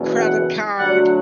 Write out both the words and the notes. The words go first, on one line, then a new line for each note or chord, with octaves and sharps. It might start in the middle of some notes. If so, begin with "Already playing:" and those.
credit card
Already playing: F#1 E2 B2
F#5
D2 D3 F#3 F#5